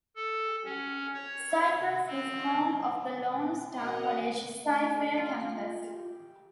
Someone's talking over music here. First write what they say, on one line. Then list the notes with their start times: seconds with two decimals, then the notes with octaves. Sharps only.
Cypress is home of the Lone Star College-CyFair campus.
0.16 A4
0.65 C#4
1.13 C#5
2.07 C4
3.77 F#4 G#4 A#4 D#5 F#5 A#5
4.65 A3
5.17 F4
5.90 G4